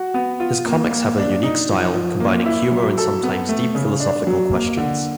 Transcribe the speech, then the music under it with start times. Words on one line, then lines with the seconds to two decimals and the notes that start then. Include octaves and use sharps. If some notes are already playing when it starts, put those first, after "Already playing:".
His comics have a unique style, combining humor and sometimes deep philosophical questions.
Already playing: F#4
0.14 B3
0.40 F4
0.66 A#3
0.92 A#3
1.18 D4
1.43 D#4
1.69 F3
1.94 F3
2.20 A#3
2.46 E4
2.71 F#3
2.98 A4
3.23 B3
3.49 A3
3.75 C#3
4.00 D4
4.27 F#3
4.51 A#3
4.77 D3